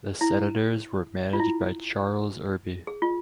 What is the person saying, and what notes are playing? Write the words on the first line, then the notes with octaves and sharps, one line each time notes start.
The Senators were managed by Charles Irby.
E4
F4
E4
G#4
F4